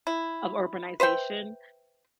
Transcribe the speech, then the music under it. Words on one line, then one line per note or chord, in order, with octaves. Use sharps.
of urbanization,
E4
B4 C5 E5 G5